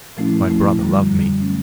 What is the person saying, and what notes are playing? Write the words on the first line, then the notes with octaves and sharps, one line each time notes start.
My brother loved me.
A#2 F3 A3 C#4 E4
A#2 F3 A3 C#4 E4
F#2 D3 G3
F#2 D3 G3
D3 F#3 A3 C#4